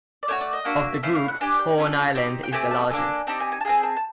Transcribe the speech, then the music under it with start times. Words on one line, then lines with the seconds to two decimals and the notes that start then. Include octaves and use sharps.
Of the group, Horn Island is the largest.
0.23 D5
0.28 A3 D4 F#4 C#5
0.41 D5
0.53 D#5
0.65 A#3 D4 F#4 E5
1.03 A3 C#4 E4 F5
1.15 F5
1.28 F#5
1.41 D4 G4 G#5
1.59 G5
1.78 C#4 F4 A4
2.15 C4 D#4 G4
2.43 G5
2.52 A3 C4 G4 G#5
2.71 A5
2.90 A#3 D4 F4 A4 G#5
3.27 C4 D#4 G4 A5
3.40 G#5
3.52 G#5
3.61 A5
3.65 C4 F4 G#4 G#5
3.83 A5
3.97 A5